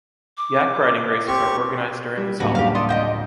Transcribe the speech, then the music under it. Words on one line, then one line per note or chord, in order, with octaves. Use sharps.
Yak riding races are organized during this holiday.
D6
C4 G4 C#6
G3 E4
D2 A2 C#3 F#3 G3 A#3 F#4 B4
F2 A2 G4 F5
A3 A4 D5 C6 D#6
C5 D#5 F#5 G5